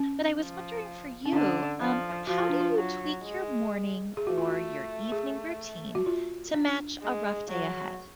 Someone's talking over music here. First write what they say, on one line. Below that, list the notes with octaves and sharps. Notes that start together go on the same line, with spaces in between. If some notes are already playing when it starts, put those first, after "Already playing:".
but I was wondering for you, um, how do you tweak your morning or your evening routine to match a rough day ahead?
Already playing: C#4
F3
C#4
D3 D4
F3
F3 F#4
F4
D4
F4
F#3
G#3
A3 G#4
F#4
F4
F#4
G#4
F#4
F4
D4
G#3
F#3